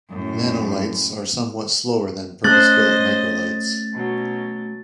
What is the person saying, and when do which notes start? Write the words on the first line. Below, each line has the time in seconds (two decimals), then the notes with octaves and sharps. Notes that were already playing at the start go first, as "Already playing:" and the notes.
Nanolights are somewhat slower than purpose-built microlights.
0.10 F#2 A2
2.44 A3 C#4 C5 D#5 F#6 A6
3.94 B2 F#3